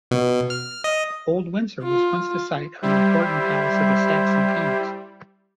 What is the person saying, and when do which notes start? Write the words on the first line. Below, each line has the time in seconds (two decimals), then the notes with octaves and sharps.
Old Windsor was once the site of an important palace of the Saxon Kings.
0.11 B2
0.50 F6
0.84 D#5
1.83 F4
2.82 G3 E4 C5 E5